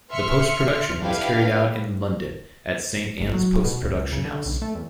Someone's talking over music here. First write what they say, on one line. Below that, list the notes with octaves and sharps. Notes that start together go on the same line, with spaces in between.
The post production was carried out in London at Saint Anne's post production house.
E5 C6 F6 C#7
D4 E4 G4 B4 F5
G1
F#3
B2
C#2
C#3
D3
B1
A3
E2